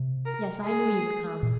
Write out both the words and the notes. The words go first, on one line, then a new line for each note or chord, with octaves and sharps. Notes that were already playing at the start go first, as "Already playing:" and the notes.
Yes, I knew you would come.
Already playing: C3
A#4
G#4
A#2